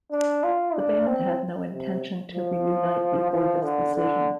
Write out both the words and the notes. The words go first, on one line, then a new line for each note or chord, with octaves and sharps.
The band had no intention to reunite before this decision.
D4
F4
D4
C4
C3
F3
F3
D3
D3